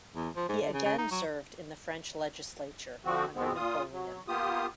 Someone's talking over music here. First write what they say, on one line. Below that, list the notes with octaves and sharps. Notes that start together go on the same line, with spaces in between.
He again served in the French legislature under Napoleon.
E2
F3
G#2
D3
C#3
C#3
D#4
F#3
D3 F3 C4 F#4
F2 B2 G#3 B3 C4
A#2 F4 D#6
F#3
A#3 B3 F4 G4 D#6